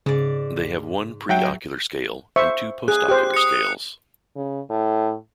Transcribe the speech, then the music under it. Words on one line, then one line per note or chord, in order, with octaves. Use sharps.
They have one preocular scale and two postocular scales.
G#2 C#3 D5
F#3 E5 F#5 G5
C5 E5 C#6
G#4 F#6
G4 C5
D#6 C#7
C#3
A2